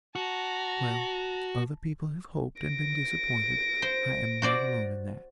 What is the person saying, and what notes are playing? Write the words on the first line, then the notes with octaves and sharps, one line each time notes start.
Well, other people have hoped and been disappointed; I am not alone in that.
F#4 A5 A#5
A#6 D7
C5
F#4 C5 D5